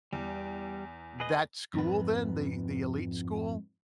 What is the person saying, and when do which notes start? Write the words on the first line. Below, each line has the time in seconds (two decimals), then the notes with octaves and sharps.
that school then, the the elite school?
0.13 E2 G3
1.20 G#4 B4 D#5
1.74 F2 G#2 B4